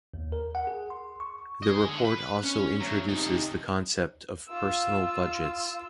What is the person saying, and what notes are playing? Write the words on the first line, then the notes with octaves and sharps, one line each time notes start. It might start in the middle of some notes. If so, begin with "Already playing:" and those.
The report also introduces the concept of personal budgets.
D#2
A#4
F#5
G#4
C6
C#6
D#5 G#5
D3
B4
C#4
D2 F#3
C3 D#4
F4 E6